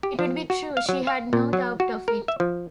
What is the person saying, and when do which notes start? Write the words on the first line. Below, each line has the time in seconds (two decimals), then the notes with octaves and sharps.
It would be true; she had no doubt of it.
0.03 G4
0.19 F3
0.50 F#4
0.77 F5
0.89 F#3
1.07 F5
1.33 A#2
1.53 F#3
1.80 F#4
2.08 A#4
2.28 E5
2.40 F3